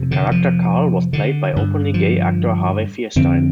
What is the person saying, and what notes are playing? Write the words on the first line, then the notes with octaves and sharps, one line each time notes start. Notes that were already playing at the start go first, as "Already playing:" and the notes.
The character Karl was played by openly gay actor Harvey Fierstein.
Already playing: F2 C3
D3
F3
D3
G2 D3
F3
F2 D3 C4